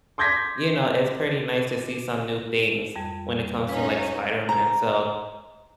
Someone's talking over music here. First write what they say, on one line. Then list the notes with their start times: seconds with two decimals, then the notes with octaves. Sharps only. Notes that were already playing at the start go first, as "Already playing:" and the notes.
you know, it's pretty nice to see some new things when it comes to, like, Spider-Man, so
0.18 C6 D6 G6 G#6 A#6 B6
2.96 F2 G3
3.68 C#4 D#4 B4 F5
4.49 A#5